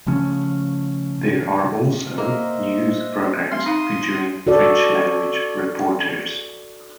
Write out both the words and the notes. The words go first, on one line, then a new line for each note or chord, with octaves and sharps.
There are also news programmes featuring French-language reporters.
C#3 F3 A3 C#4
A#3 C5 D#5 E5
A3 C4 E5 C6
D#4 F5 A#5 C6 D#6
F#4 A4 D5